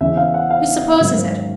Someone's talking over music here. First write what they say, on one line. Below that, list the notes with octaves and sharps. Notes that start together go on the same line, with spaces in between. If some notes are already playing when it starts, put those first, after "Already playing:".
Who supposes it?
E2 C#3 E3 E5
F5
F#5
F5
G#2 D#3 F#3